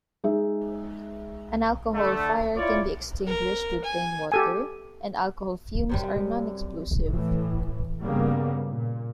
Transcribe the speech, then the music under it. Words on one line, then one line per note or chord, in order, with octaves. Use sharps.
An alcohol fire can be extinguished with plain water, and alcohol fumes are non-explosive.
G#3 D#4 G#4 E5
D3 A3
E4 F4 C#5 D5
A#4
G#5
G4 A4 G#5
F#2 C3 G3
A2 E3
G2 C#3 G3 A#3 B3
A#2